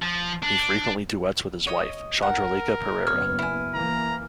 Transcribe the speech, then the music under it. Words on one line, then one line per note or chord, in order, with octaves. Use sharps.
He frequently duets with his wife Chandralekha Perera.
F3
D4
C#5 D#5 D#6
A#4 F#5
F#1 B3 C#5 F6
E4 G#5
E3 A#3 A#5